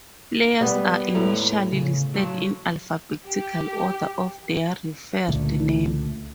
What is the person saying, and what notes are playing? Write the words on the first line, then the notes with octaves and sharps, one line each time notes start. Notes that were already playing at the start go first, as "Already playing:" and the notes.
Players are initially listed in alphabetical order of their referred name.
G3 B3 B4
A2 G#3 B4 A#5
C#3
F#3 A5
G4
C#2 A#2 D3 A3